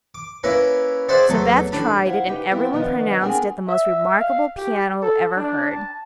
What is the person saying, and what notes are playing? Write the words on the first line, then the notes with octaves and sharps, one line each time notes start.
So Beth tried it, and everyone pronounced it the most remarkable piano ever heard.
D6
A#3 C#4 E4 A#4 B4
G#4 C5 D5 E5 F#5
E2 F#3 A3
A1 D4 B5
E4 C5 F5 F#5
D#4 G4 B4
F3 B3 C4 E4 G4
D#3 F3 A3 B3 D4 D#4
B3 C4 D4 G#4 A#4 G#5
E5
F5
G4
A4
D4
A5